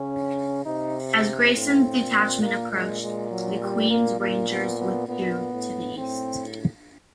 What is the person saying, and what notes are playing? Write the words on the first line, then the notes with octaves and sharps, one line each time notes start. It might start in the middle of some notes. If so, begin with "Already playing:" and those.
As Grayson's detachment approached, the Queen's Rangers withdrew to the east.
Already playing: C#3 C#4
C3 D#4
A2 C4
A#2
A#3
G#3
G#3
F#3
G3
A#3
A#2 A#3
B3
B3
A#2 B3
A2
A2 C4